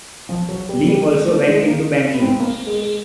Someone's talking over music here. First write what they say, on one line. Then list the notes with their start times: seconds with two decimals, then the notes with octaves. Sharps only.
Lee also went into banking.
0.29 F3
0.49 F#3
0.69 G3
0.88 G3
1.08 G#3
1.28 A3
1.48 G#3
1.68 A#3
2.14 B3
2.22 C4
2.30 B3
2.40 A#3
2.67 G#3
2.82 G#3